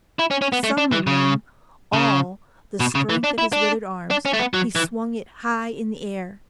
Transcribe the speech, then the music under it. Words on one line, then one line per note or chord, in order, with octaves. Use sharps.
Summoning all the strength of his withered arms, he swung it high in the air.
E4
C#4
C#4
B3
A3
D4
E3
C#3
C#3
B2
C#3
E3
D4
E4
D4
D4
C#4
A3
B3
F#3
E3